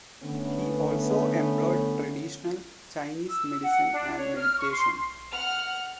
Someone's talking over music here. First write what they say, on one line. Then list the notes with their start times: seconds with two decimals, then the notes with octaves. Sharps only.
He also employed traditional Chinese medicine and meditation.
0.23 D3 A3 B3 C#4
3.29 E6
3.62 F#5
3.92 D4
4.16 C#5
4.37 F6
4.58 C#6
4.72 C6
5.31 F#5 F6